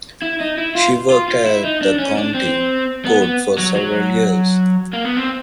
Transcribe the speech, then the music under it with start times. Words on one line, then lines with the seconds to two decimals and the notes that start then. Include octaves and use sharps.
She worked at the county court for several years.
0.22 E4
0.41 D#4
0.58 E4
0.75 F4
1.10 F4
1.28 F4
1.46 E4
1.64 D#4
1.82 D4
1.99 C#4
2.17 D4
2.34 C4
3.05 B3
3.23 B3
3.58 F#3
3.76 F#3
4.93 A#3
5.05 B3
5.16 C4